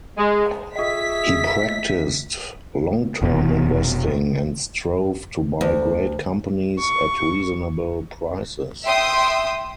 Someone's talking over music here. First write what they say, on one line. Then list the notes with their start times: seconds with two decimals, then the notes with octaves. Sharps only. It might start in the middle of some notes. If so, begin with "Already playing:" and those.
He practiced long-term investing, and strove to buy great companies at reasonable prices.
0.17 G#3
0.76 F4 G#4 D#5 E5 B6
3.22 F1 B2
5.61 D2
6.79 C#6
8.85 E5 G5 C6 D#6